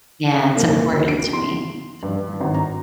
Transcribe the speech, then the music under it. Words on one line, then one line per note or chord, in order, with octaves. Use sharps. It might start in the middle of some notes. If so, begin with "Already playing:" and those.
Yeah, it's important to me, it's important.
A#3
D2
D7
C6
G2
G#1
A#5